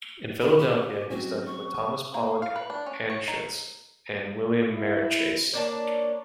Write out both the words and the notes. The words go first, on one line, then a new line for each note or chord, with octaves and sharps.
In Philadelphia he studied with Thomas Pollock Anshutz and William Merritt Chase.
B5
G4
F#3 C4 C#4 F#4
C#6
A#3
F5
B4
D4
C#4
C#5
D#4
E4
A#3 D4 C#5 A5